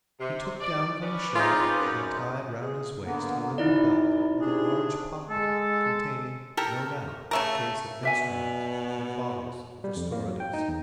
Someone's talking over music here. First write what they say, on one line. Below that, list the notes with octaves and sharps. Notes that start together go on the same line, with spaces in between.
He took down from a shelf, and tied round his waist, a linen belt with a large pocket containing, no doubt, a case of instruments and bottles of restoratives.
C3
D5
C#4 B4 D5
G#3 C4 D#4 F4
F#2
G#4
D3 A#3 B3
F#2 C3 D#4 E4 D5
C3 D4 G#4
G#3 A4
G4 A4 A#4
C#3 A3 A#4
B2 D5 E5 G#5
G3
F2
A#3
F#3
G5
D#4
E2